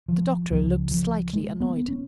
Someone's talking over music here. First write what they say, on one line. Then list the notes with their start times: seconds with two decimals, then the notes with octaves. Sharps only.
The doctor looked slightly annoyed.
0.08 F3
0.50 C#2 C#3 F3
0.91 F3
1.33 G#3
1.60 B3
1.88 C#4